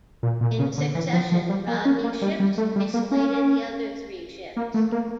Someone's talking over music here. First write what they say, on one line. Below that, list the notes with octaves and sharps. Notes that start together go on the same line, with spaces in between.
In succession, Rodney's ships isolated the other three ships.
A#2
A#2
C#3
D3
E3
F3
F3
G3
A#3
C#4
A#3
G3
G3
A3
G3
A#3
C#4
A#3
A3
A#3